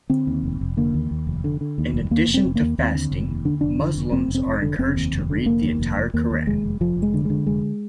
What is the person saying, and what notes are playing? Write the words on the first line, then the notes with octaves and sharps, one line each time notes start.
In addition to fasting, Muslims are encouraged to read the entire Quran.
D3 C4
D#2
F1
F1
D3 A#3
D#2
D#2
F1
D3
D3
D#2
F1
D#2 A#3
F1
C4
F1
A#3
D#2
D#2 C4
D3
F1
D#2
D3 D4
F1 D4
D3
F1
F1 C4
F1
C4
F1
D3
F1 C4
D#2
F1
D3
F1 A#3
D#2
F1
F1
D#2 A#3
D#2
F1 G#3
F1
F1 F3
F1
G#3
D3
D3 G#3
F1 G#3